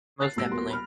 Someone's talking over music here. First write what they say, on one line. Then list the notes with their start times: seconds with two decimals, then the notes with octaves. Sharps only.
most definitely.
0.20 F#6 A6 C7
0.36 B1 A2 G3 E6 A#6 D7
0.52 D#1 B3 F#4 A#4 C6
0.71 B5 F6